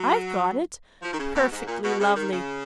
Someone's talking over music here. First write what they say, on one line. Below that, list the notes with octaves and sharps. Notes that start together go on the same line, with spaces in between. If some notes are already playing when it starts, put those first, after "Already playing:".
'I've got it! perfectly lovely!
Already playing: F#3
F3
D#3
C#3
B2
G#2
A#2
B2
C#3
D#3
C#3